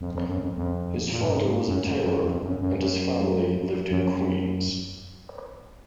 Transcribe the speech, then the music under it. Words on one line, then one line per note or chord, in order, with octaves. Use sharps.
His father was a tailor and his family lived in Queens.
F2
F2
F#2
F2
F2
A#2
G#2
F#2
G#2
F#2
F#2
F#2
F2
F#2
F#2
F#2
F#2